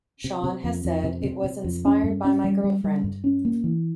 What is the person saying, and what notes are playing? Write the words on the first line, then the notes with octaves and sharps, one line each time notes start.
Sean has said it was "inspired by my girlfriend".
C3
C3
F2
F2
C3
C3
C3
F2
C#4
G2
C#4
G3
G3
G3
G2
C#4
A#3
E3